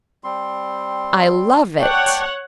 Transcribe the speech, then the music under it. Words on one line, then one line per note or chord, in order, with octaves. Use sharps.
"I love it."
G3 C4 C6
C#5 D5 F#5 G5 A5